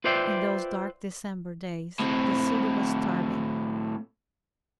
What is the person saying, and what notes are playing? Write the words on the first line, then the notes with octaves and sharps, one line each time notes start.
In those dark December days the city was starving.
F4 B4 C5 D5 E5 G5
A2 C4